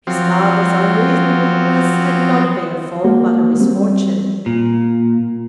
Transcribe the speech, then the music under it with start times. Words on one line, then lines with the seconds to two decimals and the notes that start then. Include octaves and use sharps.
His father's unreasonableness had not been a fault, but a misfortune.
0.07 F3 F#3 C4
3.04 G#3 A#3 F#4
3.60 G3 C4
4.46 A#2